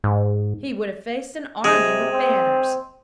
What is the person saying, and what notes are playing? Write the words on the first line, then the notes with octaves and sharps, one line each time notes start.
He would have faced an army with banners.
G#2
C3 G#3
C4